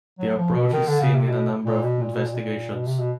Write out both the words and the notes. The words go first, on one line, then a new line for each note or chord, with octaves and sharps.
The approach is seen in a number of investigations.
F#3
F3
B2
D#3
D3
C#3
C3
B2
A#2
B2
A#2
B2
A#2
B2
A#2
B2
C3
B2